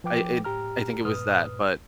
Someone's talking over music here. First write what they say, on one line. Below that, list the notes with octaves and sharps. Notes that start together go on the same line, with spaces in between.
I, i I think it was that, but
F3 B4 G5 D6
A2 G4 A#5 F6
G2 A#2 B4 D#6 F6